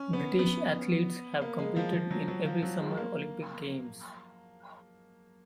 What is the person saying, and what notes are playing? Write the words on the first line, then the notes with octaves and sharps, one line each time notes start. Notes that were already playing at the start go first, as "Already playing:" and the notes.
British athletes have competed in every Summer Olympic Games.
Already playing: C#4
B3
B3
A#3
G#3
F3
F3
F#3
F#3
F3
F#3
G#3
A#3